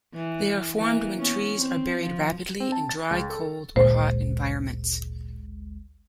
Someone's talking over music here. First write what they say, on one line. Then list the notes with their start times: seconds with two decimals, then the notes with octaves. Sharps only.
They are formed when trees are buried rapidly in dry cold or hot environments.
0.14 E3
0.78 E3 A#3
1.18 B3 C#4
1.57 C4
1.98 F3
2.60 C4
2.72 A5
2.89 A6
3.11 C#2
3.30 A4
3.76 G#1 D2 A#2 G#3 C5